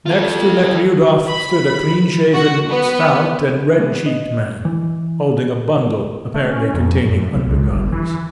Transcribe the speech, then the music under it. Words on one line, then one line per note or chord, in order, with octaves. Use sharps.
Next to Nekhludoff stood a clean-shaven, stout, and red-cheeked man, holding a bundle, apparently containing under-garments.
F4 A4
B5
F#4
B3
A3 B3 D4 G#4 A4 B4
D#5
E3
A3
C#4
F2
F#2
B1
C#2
G1
E3